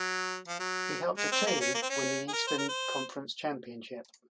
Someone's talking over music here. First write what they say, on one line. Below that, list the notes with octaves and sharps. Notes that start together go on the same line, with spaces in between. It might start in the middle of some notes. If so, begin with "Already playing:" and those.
He helped the team win the Eastern Conference championship.
Already playing: F#3
F3
F#3
G#3
C4
A#3
C#4
A#3
C4
C#4
G#4
A#4
C5
A#4
C5